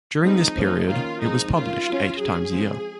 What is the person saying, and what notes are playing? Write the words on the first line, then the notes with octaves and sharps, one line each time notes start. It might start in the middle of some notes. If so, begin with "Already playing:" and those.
During this period it was published eight times a year.
F3 G#3 C4 D#4
F3 A#3 C#4
D#3 A#3 C#4 F4
F3 G#3 C4 D#4
D#3 G#3 C#4 F4
F#3 C#4
F#3 C#4 G#4
F3 G#3 C4